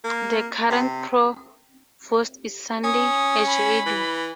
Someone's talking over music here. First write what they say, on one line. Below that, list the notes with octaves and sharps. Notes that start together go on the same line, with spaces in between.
The current provost is Sunday Eje Edo.
A#3
C3
C#4 D#6
B5
E3